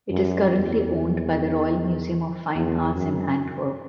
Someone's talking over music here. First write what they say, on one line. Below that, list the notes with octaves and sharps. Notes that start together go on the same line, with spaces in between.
It is currently owned by the Royal Museum of Fine Arts in Antwerp.
F#2
E2
E2
F#2